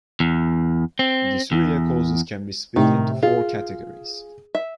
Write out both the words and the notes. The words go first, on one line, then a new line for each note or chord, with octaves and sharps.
Dysuria causes can be split into four categories.
E2
C4
E2
A2 C3 D#3
F4 G#4
E5